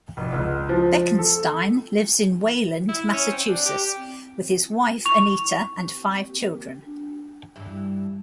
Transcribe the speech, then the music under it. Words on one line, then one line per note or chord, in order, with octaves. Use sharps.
Bekenstein lives in Wayland, Massachusetts, with his wife, Anita, and five children.
F1
C#2
F3
A4
E4
C#4
C4
D4
G4
C#6 F7
G2 E3